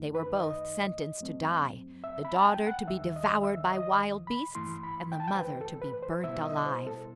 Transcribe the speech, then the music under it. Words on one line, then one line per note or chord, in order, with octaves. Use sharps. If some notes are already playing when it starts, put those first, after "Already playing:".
They were both sentenced to die--the daughter to be devoured by wild beasts, and the mother to be burnt alive.
Already playing: F#2 D#3 A3 D#4
B4
D#5
F#2 F#3 A3 C4
E5
B5
A5
G5
F#5
D#2 D#3 G3 E5
D#5
E5
D#5
B5
G2 E3 A3 E4 C6
B5
G5
A5
G5
C5
B4
A4
B4
C5
B2 G3 B3 E4 E5
D#5
C5
A4